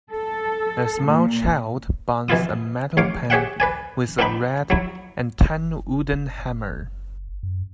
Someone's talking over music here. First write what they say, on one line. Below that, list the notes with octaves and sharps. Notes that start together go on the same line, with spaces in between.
A small child bangs a metal pan with a red and tan wooden hammer.
A4
A#2
B2 E3 E4 F4 D#6
A1 C#5 F5 D6
G4 G#4 C#5 E5 F#5 G5
B4 D5 G#5
B3 D4 D#4 G5 B5
F#3 E4
F#1
F#2